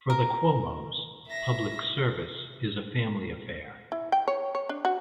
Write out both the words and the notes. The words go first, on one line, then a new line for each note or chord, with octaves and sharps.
For the Cuomos, public service is a family affair.
A#4
E5 A#6
E4
G5
C#5
C#5
D4
F#4